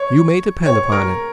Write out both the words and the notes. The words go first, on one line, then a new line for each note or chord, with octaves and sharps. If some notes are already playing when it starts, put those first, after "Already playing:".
"You may depend upon it."
Already playing: C#5
C#5
A#4